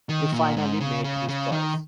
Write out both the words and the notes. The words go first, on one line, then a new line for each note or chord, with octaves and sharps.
He finally made his choice.
D#3
A#2
G#2
C#3
C#3
C#3
D#3